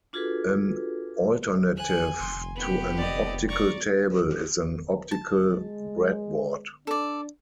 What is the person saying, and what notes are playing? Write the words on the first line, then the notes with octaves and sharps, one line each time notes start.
An alternative to an optical table is an optical breadboard.
D4 F4 F#4 G#4 A4 B4
G#5 F#6
F1 C6
B3 G4
D5 D#5
D5 A#5 C#6
A5
G#3
D4 A4 D5